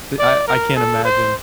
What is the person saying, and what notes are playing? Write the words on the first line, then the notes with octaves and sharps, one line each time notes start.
the I I can't imagine.
D5
A#4
A4
C5